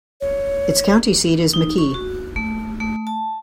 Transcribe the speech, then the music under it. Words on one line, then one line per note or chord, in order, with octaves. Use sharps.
Its county seat is McKee.
C#5
D#4
C#6
F#4
A3
A3
A5